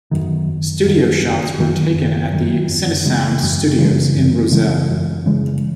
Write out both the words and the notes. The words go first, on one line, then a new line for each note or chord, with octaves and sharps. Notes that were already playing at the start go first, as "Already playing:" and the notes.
Studio shots were taken at the Cinesound Studios in Rozelle.
F#2 D#3
F#1
F#2 D#3
F#1
F#2 D#3
F#1
F#2 D#3
F#2
C#3 E3 G#3
F#2
C#3 E3 G#3
F#2
C#3 E3 G#3
F#2
C#3 E3 G#3